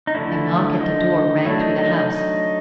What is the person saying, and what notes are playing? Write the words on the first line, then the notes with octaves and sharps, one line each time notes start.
A knock at the door rang through the house.
D#4
D3 F3 A3 D4 E4
D#4
F#3 A3 D4 E4
D#4
D#4
D#4
D#4